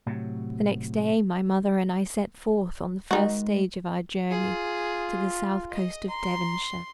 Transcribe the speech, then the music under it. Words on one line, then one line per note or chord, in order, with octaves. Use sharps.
The next day my mother and I set forth on the first stage of our journey to the south coast of Devonshire.
A2 C3 F#3
D#3 G#3 D#4 F#4
F4 G#4
D#5
A#5 C6